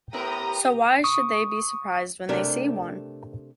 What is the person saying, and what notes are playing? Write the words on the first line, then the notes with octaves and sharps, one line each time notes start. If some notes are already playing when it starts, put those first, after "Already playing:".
So why should they be surprised when they see one?
A2 B3 G4 A#4 A#5 D#6
C#6 D#6
C3 A3 D4 G4 A#4